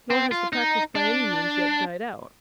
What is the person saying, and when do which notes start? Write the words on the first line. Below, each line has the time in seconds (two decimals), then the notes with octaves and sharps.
Nor has the practice by any means yet died out.
0.11 C4
0.32 F4
0.53 D#4
0.95 D4